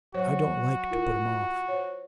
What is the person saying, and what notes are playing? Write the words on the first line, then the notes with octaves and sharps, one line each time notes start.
I don't like to put him off.'
F#3 F#4 C5 C#5
E4 F4 A#4
C5 C#5